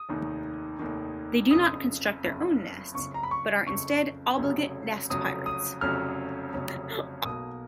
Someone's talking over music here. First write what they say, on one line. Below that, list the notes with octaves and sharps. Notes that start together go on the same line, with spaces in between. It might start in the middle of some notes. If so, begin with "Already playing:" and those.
They do not construct their own nests, but are instead obligate nest pirates.
Already playing: D#6
F1 D#2 D#3
F1 D#2 D#3
F#1 F2 C#3 D#6
F#1 F2 C#3
F#1 F2 C#3 C#6
A#5
B5
C#6
F#1 F2 C#3 C#6
F1 F2 C#3 F#3 C#4
F1 F2 C#3 F#3 C#4 D#6
D#6
F1 F2 C#3 F#3 C#4 F6
F1 F2 C#3 F#3 C#4
B1 B2 A#3 D#6